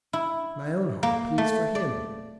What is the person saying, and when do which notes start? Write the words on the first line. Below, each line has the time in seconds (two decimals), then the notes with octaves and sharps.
My own heart pleads for him.
0.13 E4
1.03 A#3
1.38 A3
1.75 D5